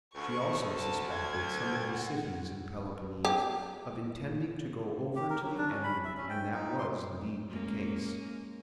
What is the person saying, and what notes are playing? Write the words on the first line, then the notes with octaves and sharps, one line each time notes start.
She also suspected some of the cities in Peloponnese of intending to go over to the enemy and that was indeed the case.
D2 C#6
A5
G#6
F#5
G4
G4
A#4
F#3
D4
C#4
B5
E5
C#4
G5
D#4
C6
G#3 A#3 C#4